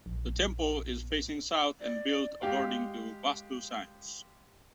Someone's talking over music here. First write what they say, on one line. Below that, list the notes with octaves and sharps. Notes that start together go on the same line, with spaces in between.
The temple is facing south and built according to vastu science.
A#1
D5
G#3 G4 F5